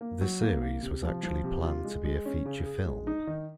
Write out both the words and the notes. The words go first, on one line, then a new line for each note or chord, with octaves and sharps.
The series was actually planned to be a feature film.
A#3
F#3
A#3
A#3
C3
F3
F3
C3
F4
G#3
G#3
C#4
C#3
G#4
G#3
D#4
D#3